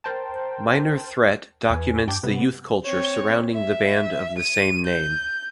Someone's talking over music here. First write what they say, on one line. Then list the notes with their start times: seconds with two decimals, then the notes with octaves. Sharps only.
"Minor Threat" documents the youth culture surrounding the band of the same name.
0.04 A#4 C5 G5 A5
1.70 E2 B4 G#5
2.07 G2 G5 A5 D6
2.23 C3 G3 B3
2.85 C4 C#5
3.54 E5
4.39 D#7
4.86 G6